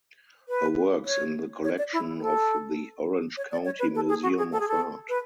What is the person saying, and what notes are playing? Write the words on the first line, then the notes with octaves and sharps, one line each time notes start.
Her work is in the collection of the Orange County Museum of Art.
B4
C#5
C#5
D5
E4
A4
C#5
D5
C#5
B4
A4
G#4
F#4
G#4
A4
G#4
A4
B4